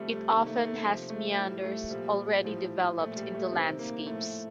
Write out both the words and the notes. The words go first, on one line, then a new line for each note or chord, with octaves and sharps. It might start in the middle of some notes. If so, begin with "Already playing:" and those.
It often has meanders already developed into landscapes.
Already playing: C3 F3 G3 A3
A3
C3 D#3 A#3
A3
A3
C3 F3
A3
A2 F3 G3
A3
A#2 F3 G3
A2 F3
A#2 F3 A3
G3
A3
C3 D#3 C4
A#3
A2 F3 A3